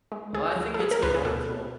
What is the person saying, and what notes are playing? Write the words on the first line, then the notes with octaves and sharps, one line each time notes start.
Well, I think it's been wonderful,
G#3
D2 G#4
F3
A4
F3 G#4
A#4
D2 B4
G#4
B2 A4
B2